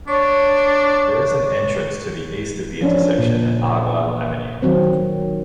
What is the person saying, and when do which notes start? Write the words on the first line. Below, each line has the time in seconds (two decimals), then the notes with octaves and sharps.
There is an entrance to the east of the intersection at Argyle Avenue.
0.08 D4 C#5 C#6
2.81 F3 C#4 D4
3.18 A#2
4.62 D#3 F#3 C4